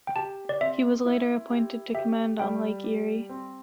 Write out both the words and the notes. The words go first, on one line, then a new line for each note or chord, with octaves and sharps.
He was later appointed to command on Lake Erie.
G5
G4 A5
D5
C4 E5
E4
G4
G4 E5
G3 G5
G4
C4